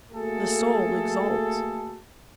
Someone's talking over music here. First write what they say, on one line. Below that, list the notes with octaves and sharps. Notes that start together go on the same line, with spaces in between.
The soul exults.
A3 A#3 F#4 G#4 A4